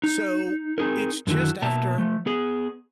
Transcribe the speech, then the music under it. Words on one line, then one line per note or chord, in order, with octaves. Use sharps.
So, it's just after
D#4
C4 D#4 F4 G#4 A#4
F#2 D3 D#3 E4 F#4
B2 A#3 E5 A5 A#5
F3 A3
B3 G#4